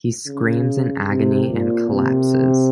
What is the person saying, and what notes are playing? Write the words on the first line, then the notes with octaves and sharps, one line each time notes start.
He screams in agony and collapses.
C#3
C3
A#2
C3